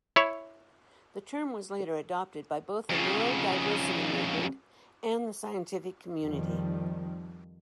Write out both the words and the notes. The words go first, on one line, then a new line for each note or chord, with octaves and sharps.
The term was later adopted by both the neurodiversity movement and the scientific community.
E4 C#5
F2 C#3
F2 D#3 F3 G3